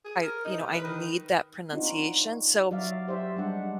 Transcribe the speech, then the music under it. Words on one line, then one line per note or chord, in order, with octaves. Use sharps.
I, you know, I need that pronunciation, so
G#4
A#4
D#4
C3
B4
D#3
C4 D4 D#4 F4 F#4
F#3 F#4 D5 E5 F5
G4 C5 D5 E5
G3 G#3 D4 F#5